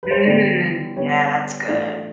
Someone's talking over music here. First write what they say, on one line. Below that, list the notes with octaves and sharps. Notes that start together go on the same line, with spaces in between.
Mm. Yeah, that's good.
B4
C5
C#5
D3 G3 B3 D5
D3 G3 B3 C#5
E3 A3 D4 F4 D5